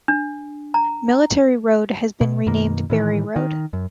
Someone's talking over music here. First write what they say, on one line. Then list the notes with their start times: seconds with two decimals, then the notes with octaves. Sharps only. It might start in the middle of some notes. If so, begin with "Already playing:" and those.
Military Road has been renamed Barry Road.
0.08 D4
0.74 A#5
2.21 B2
2.46 F#2 B2 D#3 A#3
2.90 A2 D#3 E3
3.36 D#3
3.73 F#2